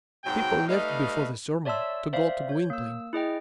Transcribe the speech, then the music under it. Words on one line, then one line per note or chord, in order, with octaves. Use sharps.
People left before the sermon to go to Gwynplaine.
G#2 B2 F#3 G5
G3 A3 D#4 B4 D#5 F5
C#5 D5 E5 A5 C6 E6
C5 D5 E5 F5
C#5 G6
A#3 E6
E4 G#4 D#5 G5